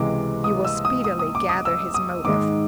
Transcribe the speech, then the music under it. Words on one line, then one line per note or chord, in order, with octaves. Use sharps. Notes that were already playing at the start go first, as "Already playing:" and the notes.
You will speedily gather his motive.
Already playing: C#2 C3 E3 G#3 D6
D#6
E6
D#6
D#6
D#6
D6
D#6
E6
D#6
G#2 D#3 G#3 D6